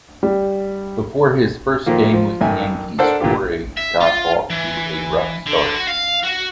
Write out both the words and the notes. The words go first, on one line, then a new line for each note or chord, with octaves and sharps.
Before his first game with the Yankees, Torre got off to a rough start.
G3
A#2 D#3 F3 A#3
F3
A1 F#2 D#3 E5 G#5
D4 A4 A#4 C5 D5 F#5
A#2 D3 E3 F4 G4
E5
F4
E3
D3
F#4
F5
F#4